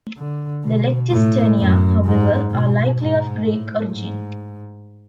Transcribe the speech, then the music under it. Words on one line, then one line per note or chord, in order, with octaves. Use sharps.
The lectisternia, however, are likely of Greek origin.
D3
B2
A2
F#2
G#2
B2
G#2
A2
G#2